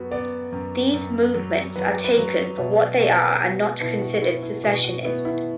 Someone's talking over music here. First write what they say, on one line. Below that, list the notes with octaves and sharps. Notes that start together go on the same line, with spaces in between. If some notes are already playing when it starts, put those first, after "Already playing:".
These "movements" are taken for what they are and not considered secessionist.
Already playing: F#2 B3 F#4 B4
B3 D5
F#2
F#2
F#3
F#3 B4
D5
B4
F#3
B2 E5
B2
B3 F#5
F#4
B2 E4
F#4
F#4
B3 E4
E4
B2 F#4
F#4
B3 E4
E4